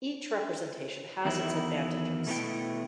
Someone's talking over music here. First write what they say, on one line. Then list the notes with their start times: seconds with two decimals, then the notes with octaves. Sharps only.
Each representation has its advantages.
1.25 E2 D#3 F#3 E4
2.27 B2 A3 B3 E4 G5